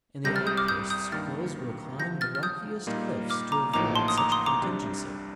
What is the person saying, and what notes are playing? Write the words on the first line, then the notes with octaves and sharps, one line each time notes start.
In the outposts girls will climb the rockiest cliffs to avoid such a contingency.
C2 C3 G3 G6 A#6
F6 A6
D#6 G6
D6 F6
D#6 G6
D#6 G6
G2 D#3 A#3 F6 A6
D2 C3 F3 G6 A#6
F6 A6
F6
D#6 G6
A#2 G3 A#3 D#4
D6 F6
A#5 D6
A1 A2 F3 A#3 D#4 A#5 D6
A5 C6
D#6
A#5 D6
C6 D#6
A#5 D6
C2 C3 G3 D4